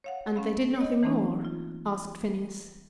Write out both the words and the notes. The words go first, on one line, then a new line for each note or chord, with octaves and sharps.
"And they did nothing more?" asked Phineas.
C#5 F5 F#5
C#4 F5 B5
C#5 D#5
E3 A3 A#3 C4 D4 D#4
F4